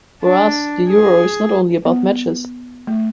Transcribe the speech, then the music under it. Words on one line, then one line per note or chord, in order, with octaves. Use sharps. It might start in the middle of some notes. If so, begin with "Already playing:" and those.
For us the Euro is not only about matches.
D4
G#4
B3
A3